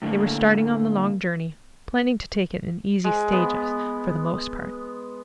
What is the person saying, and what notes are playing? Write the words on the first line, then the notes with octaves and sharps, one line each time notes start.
They were starting on the long journey, planning to take it in easy stages for the most part.
A2 D3 F#3 A3 A#3
G#3
B3